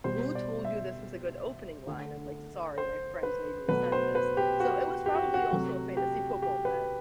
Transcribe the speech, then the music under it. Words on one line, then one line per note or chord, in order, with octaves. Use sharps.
"Who told you this was a good opening line?" I'm like, "Sorry, my friends made me send this." So it was probably also a fantasy football bet.
B2 G3 C5
D5
E5
D3 A3
C5
B4
B2 F#3 A3 B4
C5
B4
G4
F#4
G4
F#4
F#4
C3 F#3 A3 F#4
G4
G4
B4